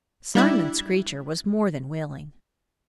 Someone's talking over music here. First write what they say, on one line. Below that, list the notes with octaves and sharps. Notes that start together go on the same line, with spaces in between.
Simon Screecher was more than willing.
G3 D4 E4